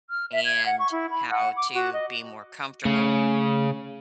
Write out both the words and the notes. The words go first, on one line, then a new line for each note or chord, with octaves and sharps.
and how to be more comfortable
F6
E5
G#6
F#5
C#6
E4
B5
F#5
D6
F#4
D#5
C#3 A3